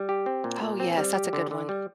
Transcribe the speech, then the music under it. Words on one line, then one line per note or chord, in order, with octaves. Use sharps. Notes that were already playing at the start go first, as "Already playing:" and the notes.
Oh, yes, that's a good one.
Already playing: G3
G4
C4
A#2
A#2
C4
G3
G4
D3
D3
G3